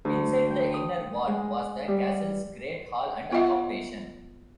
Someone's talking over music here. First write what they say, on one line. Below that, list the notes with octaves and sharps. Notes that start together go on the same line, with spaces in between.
Inside the inner ward was the castle's Great Hall and accommodation.
D2
G5
D#6
G#3
G3
B3 F4 D#5 E5 F#5